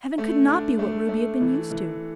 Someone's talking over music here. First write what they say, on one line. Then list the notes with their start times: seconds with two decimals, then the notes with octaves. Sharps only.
Heaven could not be what Ruby had been used to.
0.18 A3
0.48 D4
0.79 A3
1.09 A3
1.41 E3
1.71 E3